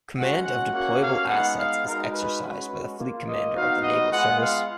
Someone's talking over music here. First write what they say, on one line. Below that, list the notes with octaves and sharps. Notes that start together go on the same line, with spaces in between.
Command of deployable assets is exercised by the Fleet Commander of the Naval Service.
G#3 C#4 F#4 F#5
F#5
A#3 C#4 F#4 F#5
F5
G#3 B3 D#4 F#5
F5
G#3 D#4 F#4 A#4
B4
G#3 C#4 F#4 B4
A#3 F4
D#5
B3 D#4 F#4 F5
D#5
G#3 B3 F4 F#5
F5